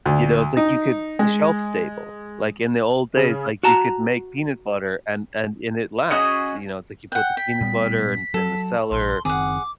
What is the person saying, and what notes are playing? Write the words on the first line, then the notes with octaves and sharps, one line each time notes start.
you know? It’s like, you could you shelf stable, like in the old days, like, you could make peanut butter, and and and it lasts, you know, it’s like you put the peanut butter, and it’s in the cellar,
D2
D#4
G#3
C#3
F#4 A5 A#5
C#4 F#4 G#4 D#5
F#5 G5 F#6
G5 B6
A#2 G3 B3
F#3 A4
A#1 C6
F#1 D#3 C4 G#4 F#5 D6